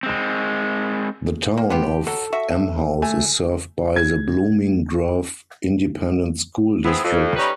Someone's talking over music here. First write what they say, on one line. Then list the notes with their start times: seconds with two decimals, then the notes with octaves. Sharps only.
The Town of Emhouse is served by the Blooming Grove Independent School District.
0.03 G#3 C4
1.57 A#3
1.70 B3 F4 G4
2.07 F#3 A4
2.33 F#4 E5
3.02 A3 G#5
3.96 G#6
6.84 B3 C4 E4 G#4
7.04 F2
7.36 G3 C#4 D#4 B4